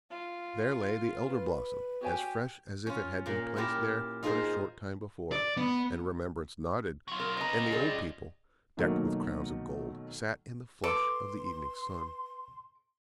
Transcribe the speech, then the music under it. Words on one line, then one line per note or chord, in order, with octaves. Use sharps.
There lay the Elder-blossom, as fresh as if it had been placed there but a short time before; and Remembrance nodded, and the old people, decked with crowns of gold, sat in the flush of the evening sun.
F4
B4
F#4 G4 C#5 G#5
C#4 F4
A#2 A#3
E4 F4 G4 A#4
D#4 F4 G#4 A#4 C5
D5
B3
F#3 F4
A#4
C#4 B4 D#5 A#5
G3 F4 G#4
B2 D#3 F#3 A3 A#3
A4 B4 C6 D6